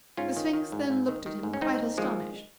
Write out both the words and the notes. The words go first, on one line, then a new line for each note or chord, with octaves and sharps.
The Sphinx then looked at him quite astonished.
G#2 C#4 F4
D#3
D#3
G#2
G#2
D#3
D#3
G#2
C#4
G#2 C4 D#4
D#3
D#3 F3 G#3